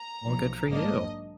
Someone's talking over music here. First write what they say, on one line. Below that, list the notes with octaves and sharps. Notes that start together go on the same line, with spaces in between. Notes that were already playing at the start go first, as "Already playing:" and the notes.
Well, good for you.
Already playing: A#5
B1 A#2 F3
G#1 G#2 F#3 A#3 D4 D#5